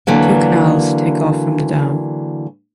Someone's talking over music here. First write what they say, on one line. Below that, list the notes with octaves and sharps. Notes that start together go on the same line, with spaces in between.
Two canals take off from the dam.
D3 E3 F#3 A#3